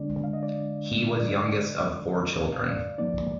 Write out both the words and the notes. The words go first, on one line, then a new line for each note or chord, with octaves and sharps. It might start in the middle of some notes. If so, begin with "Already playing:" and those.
He was youngest of four children.
Already playing: D3 G#3 D4 D5
F5
D#5
D5
D5
D#5
D#5
F5
D5
F#2 F3 A#3 D#4 D5